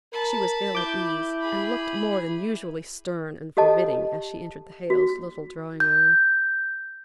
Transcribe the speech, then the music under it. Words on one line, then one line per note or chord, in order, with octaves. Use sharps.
She was ill at ease, and looked more than usually stern and forbidding as she entered the Hales' little drawing-room.
A#4 A5 B5
E4 D6 G6
G#4 B5
G4 A4 D#5 A5
F#4
G6